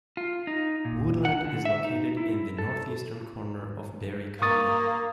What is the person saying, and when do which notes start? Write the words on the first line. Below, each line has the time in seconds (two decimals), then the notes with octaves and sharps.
Woodland is located in the northeastern corner of Barry County.
0.17 F4
0.47 D#4
0.85 A#2
1.25 F#5
1.45 D3
1.65 E5
1.84 D#4
2.17 E4
2.58 A4
4.42 A#3 C#6 D#6 A6